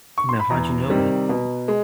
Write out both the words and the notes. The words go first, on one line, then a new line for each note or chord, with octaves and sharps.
Now how'd you know that?
C#6
C6
B5
E2 A#5
C3 D#3 G3 C4
B2
G#3